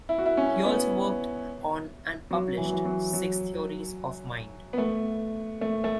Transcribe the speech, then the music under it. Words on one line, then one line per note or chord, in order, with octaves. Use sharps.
He also worked on and published "Six Theories of Mind".
E4
F#4
E4
C#4
B3
F#3
E3
F#3
E3
F#3
F#3
B3
A3
A3
A3